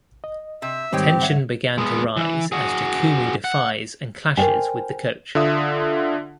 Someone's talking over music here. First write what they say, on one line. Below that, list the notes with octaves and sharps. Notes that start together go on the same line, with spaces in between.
Tension began to rise as Takumi defies and clashes with the coach.
D#5
C3 E5
G#2 D#3 G3 G#3 C4 G4 C#5 G5
C#5 E5 F#5
G#3 B3
E3
F#4 G#4
F#5
A#4 C5 D5 G5 G#5
D3 F4 E5 D#6